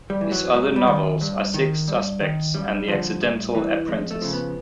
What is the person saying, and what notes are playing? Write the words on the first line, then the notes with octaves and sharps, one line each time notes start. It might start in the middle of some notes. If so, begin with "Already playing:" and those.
His other novels are "Six Suspects" and "The Accidental Apprentice".
G3
E3
F#3
G#2 F#3
G3
D#3
G2
D#3
G2
D#3
F#2 G3
D3 F3
A2
E3
F2 G#3
A3
C#3 F3
B3